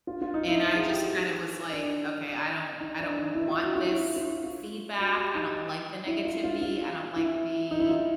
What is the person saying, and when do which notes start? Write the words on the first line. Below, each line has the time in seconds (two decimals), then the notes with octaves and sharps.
And I just, kind of was like, "Okay, I don't I don't want this feedback, I don't like the negativity, I don't like the"
0.07 F4
0.22 F4
0.34 D#4
0.48 E4
0.62 D#4
0.75 G#4
0.89 G4
1.03 F#4
1.72 D4
2.81 D#4
2.99 D4
3.17 D#4
3.35 E4
3.48 F4
3.62 F#4
3.76 F4
3.89 E4
4.16 F4
4.44 F4
4.98 F#4
5.16 G4
5.35 D#4
6.07 E4
6.25 F4
6.44 F4
6.61 F4
7.16 E4
7.71 D#4
7.80 E4
7.89 F4